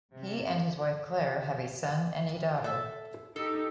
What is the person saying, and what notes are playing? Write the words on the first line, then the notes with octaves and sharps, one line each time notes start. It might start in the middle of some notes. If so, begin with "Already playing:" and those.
He and his wife Clare have a son and a daughter.
C3
A4 E5
D#4 G4 A4